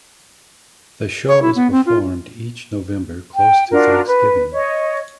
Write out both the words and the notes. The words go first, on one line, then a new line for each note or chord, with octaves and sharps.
The show is performed each November close to Thanksgiving.
C#5
E4
B3
C4
F4
G5
D4 F4 F#4 A#4
B4
C#5 D#5